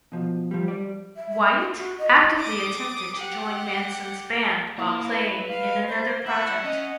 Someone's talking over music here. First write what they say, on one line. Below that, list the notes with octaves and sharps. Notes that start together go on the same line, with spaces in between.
White actively attempted to join Manson's band while playing in another project.
B2 F3
F3 G3
G3 D5
E5
E5
F#4
F#4
D#5
D6 D#6
G4 F#5
A#3 E4 F5
B4
F5
C5
E4 E5 F#5
C#4 D#5